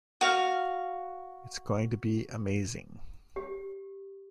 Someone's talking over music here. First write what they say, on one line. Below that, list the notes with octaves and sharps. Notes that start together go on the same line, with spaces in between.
It's going to be amazing.
F#4 F5
G4